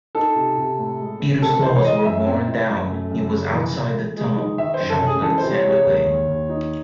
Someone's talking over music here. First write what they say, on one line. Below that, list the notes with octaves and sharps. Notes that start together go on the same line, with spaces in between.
Peter's claws were worn down; he was outside the tunnel, shuffling sand away.
D#4 A4
C3
C3
A2
G#3
A2
C4 A4
A4
E3 C5
C#5
E3 D#5
F#2 E5
C4
E4
F#2
A3
F#2
C#3
E3
E3
G#3
G#3
D#4
D#3 E5
C5
F#2
A4
C#4
G#4
E3 A4
C5
C3
C#5
G#3 C#5
D#2
D#2
D#2
D#4